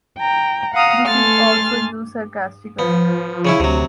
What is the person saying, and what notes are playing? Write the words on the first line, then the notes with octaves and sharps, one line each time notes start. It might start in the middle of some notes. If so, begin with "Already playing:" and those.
This is also used sarcastically.
G5 A#5
F5 F#5 A#5 D#6 F6
A3 A4 G#5 C6 F6 A6
F3 B3
C#3 C#4 E4
D2 C3 F#3